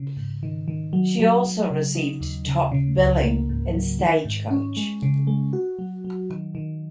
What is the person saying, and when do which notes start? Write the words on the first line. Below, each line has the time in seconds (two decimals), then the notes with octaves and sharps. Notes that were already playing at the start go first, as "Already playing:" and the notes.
She also received top-billing in "Stagecoach".
Already playing: C#3
0.17 G#2
0.43 D#3
0.68 D#3
0.93 F#3
1.20 F#3
1.44 F#3
1.70 C#3
1.95 D#4
2.21 D#2
2.47 C#3
2.72 C#3
2.98 C#2
3.24 A#3
3.49 G#2
3.74 F#3
3.99 D#3
4.25 G#2
4.51 C#4
4.77 G#3
5.02 C#3
5.27 G#3
5.53 F#4
5.79 F#3
6.05 F#3
6.30 D#3
6.55 D#3